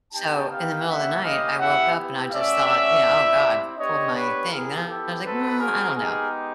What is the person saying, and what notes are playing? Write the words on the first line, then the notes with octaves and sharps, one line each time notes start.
so in the middle of the night, I woke up and I just thought, you know, "Oh, god, pulled my thing," then I was like, "Mm, I don't know."
B3 D#4 G4 G5 A5
F5 G5
A#3 C#4 E4 G4 E5 F#5
D#5 F5
B3 E4 G4 E5 F#5
A3 C#4 F#4 D5 E5
C4 E4 G4
B3 D4 G4 C#5 D#5
B4 C#5
B3 E4 G4 G#4 A#4
G4 A4
C4 D#4 F#4 A4 B4
G#4 A#4
G#3 B3 D#4 G4 G#4 A#4